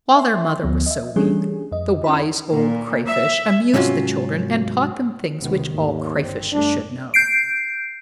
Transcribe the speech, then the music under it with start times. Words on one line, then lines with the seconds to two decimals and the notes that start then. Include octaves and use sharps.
While their mother was so weak, the Wise Old Crayfish amused the children, and taught them things which all Crayfishes should know.
0.16 E5 C6
0.63 D2 F3 B3
0.86 D#5 E5
1.16 E3 G3 A3 C#4 D4 G#4
1.72 F2 D#5
2.04 C#4 E4 B5
2.52 A#2
3.06 E5
3.74 G#2 C3 F#3 C#4 F4 F#4
5.40 C#2 C3 D#3 B3
5.74 D#2 G#2 A3
6.20 G1 C4
6.53 F#2 G3 A3 D4
7.14 G6 C7 D7